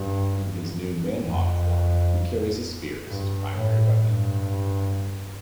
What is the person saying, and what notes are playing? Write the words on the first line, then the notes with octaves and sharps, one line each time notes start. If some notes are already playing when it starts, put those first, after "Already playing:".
In his new man-hawk form, he carries a spear as his primary weapon.
Already playing: G2
F2
G2
A2
G2